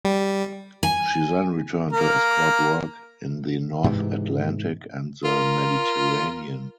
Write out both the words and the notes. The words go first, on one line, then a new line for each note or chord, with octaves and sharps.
She then returned to escort work in the North Atlantic and the Mediterranean.
G3
G#5
A#3 A#4
G#2 C3 E3
F4 A#4